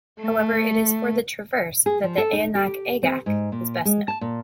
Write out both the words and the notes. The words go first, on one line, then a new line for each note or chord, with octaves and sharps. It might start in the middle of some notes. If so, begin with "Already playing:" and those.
However it is for the traverse that the Aonach Eagach is best known.
A3
G#4
F3
A4
D#4
G4
C4
G#2
A#2
G#3
A5
A#2